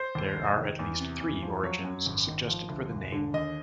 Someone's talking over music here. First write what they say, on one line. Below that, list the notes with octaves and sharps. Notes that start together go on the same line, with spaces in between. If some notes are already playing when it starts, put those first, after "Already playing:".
There are at least three origins suggested for the name.
Already playing: C5
D#2
F1
D#3
E2
C3
E2
F3
F#3 C#5
F#2
G#1
D#3
F3
D2
E1
D3
D#2 D#5